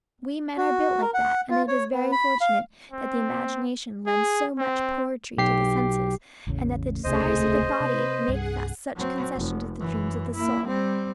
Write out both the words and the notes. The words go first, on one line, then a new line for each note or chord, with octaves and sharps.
We men are built like that, and it is very fortunate that the imagination lends so much poetry to the senses, and that the desires of the body make thus such concession to the dreams of the soul.
F#4
A#4
F#5
F4
C#5
B3
B5
F5
C4
G#4
C4
B1 G4 C7
A1 E2 C#3
D#1 C#2 C3 A3 G#4 C5 D#5
C3 B4
C2 G2 G3 G#4 F#5
F#3 C4
F1
F#2 E3
A#3 E4
G3 C4